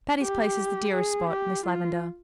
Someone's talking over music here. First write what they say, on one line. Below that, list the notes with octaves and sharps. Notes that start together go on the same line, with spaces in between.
Patty's Place is the dearest spot, Miss Lavendar.
G4
G#4
G4
F4